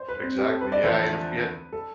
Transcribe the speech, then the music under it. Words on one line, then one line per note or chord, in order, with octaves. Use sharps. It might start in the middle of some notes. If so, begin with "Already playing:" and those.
Exactly, yeah, and if we had
Already playing: C5
B4
C4
G4
A4
B4
D5
E2 D3 F3 A3 B4
A4